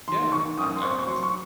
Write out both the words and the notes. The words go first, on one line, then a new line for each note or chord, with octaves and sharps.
Yeah, I I can
D#3 C6
D#3 C#6
F#2 D#6
C6
C4 C#6
C#6
F#3 C6
C#6